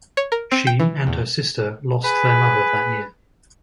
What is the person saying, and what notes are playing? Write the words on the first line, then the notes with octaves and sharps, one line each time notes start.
She and her sister lost their mother that year.
C#5
A#4
C4
G5
E3
E2
G#4 B4